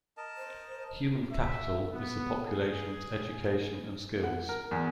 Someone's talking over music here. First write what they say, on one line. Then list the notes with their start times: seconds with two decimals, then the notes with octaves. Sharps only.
Human capital is the population's education and skills.
0.17 A#4 D#5 A5
0.37 C5
1.32 E5
1.91 B3
2.44 G#4
4.23 F#5
4.49 A#4
4.71 E2